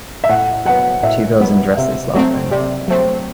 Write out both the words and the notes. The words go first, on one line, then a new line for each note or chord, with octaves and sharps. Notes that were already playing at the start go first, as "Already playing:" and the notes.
Two girls in dresses laughing.
E5
A2 F#5
F#3 B3 F#5
A2 E5
F#3 B3
C3 E5
F#3 A3 C4
C3 D5
F#3 A3 C4